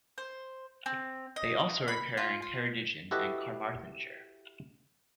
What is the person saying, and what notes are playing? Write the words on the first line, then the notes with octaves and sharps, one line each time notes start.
They also occur in Ceredigion and Carmarthenshire.
C5
C4
D#5
B5
F4
F4
E4 F#4 G4 A4 B4 D#5